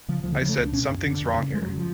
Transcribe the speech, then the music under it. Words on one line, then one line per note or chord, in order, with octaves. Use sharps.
I said, 'Something's wrong here'.
C#3 F3
D2 F3
D3
C#3 F3
A3
C#2
D4
B2 C#4
F#2
D3
F2
C#3
F2 G#3
F#3
C#3
F3